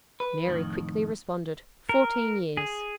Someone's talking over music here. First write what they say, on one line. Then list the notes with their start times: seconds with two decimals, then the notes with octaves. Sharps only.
Mary quickly responded, "Fourteen years."
0.20 B4
0.47 F2 A2 D#3
1.89 A#4
2.57 G#4